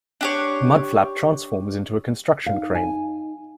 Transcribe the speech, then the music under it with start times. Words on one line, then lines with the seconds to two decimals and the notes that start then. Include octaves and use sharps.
Mudflap transforms into a construction crane.
0.21 D4 G4 C#5
2.46 D#4 F5
2.75 G#5